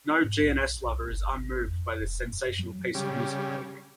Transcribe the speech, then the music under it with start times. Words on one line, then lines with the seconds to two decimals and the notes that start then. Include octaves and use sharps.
No G and S lover is unmoved by this sensational piece of music making.
0.24 G#2
0.43 B1
0.86 C2
1.10 G1
1.37 G#1
1.66 F2
2.00 E1
2.32 F#2
2.59 F#3
2.94 C#3 G3